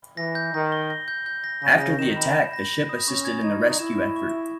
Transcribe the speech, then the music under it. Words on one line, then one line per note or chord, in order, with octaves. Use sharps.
After the attack the ship assisted in the rescue effort.
E3 A#6
G6
D#3 A#6
G7
A#6
G6
G6
A#6
C#3 A#6
A#6
D#3 E7
B5
E7
A#6
A#6
D#6
C#4 C#6
G#6
D#4 G#6
G#6
E4 E7
C#6
C#6
C#6